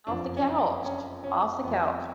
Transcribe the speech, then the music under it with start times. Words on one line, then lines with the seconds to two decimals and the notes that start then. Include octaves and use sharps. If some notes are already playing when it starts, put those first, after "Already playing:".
Off the couch. Off the couch.
0.07 F#1 F2 F3 D4
0.37 C#4
0.47 D4
0.85 C#4
1.24 C#4
1.63 F1 F2 F3 B3